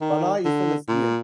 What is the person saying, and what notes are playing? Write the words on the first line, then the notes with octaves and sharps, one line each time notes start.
Banai is a lesbian.
D#3
D3
A#2